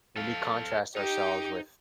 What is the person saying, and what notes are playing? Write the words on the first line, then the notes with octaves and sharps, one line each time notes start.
When we contrast ourselves with
A4 F5
D#4 G4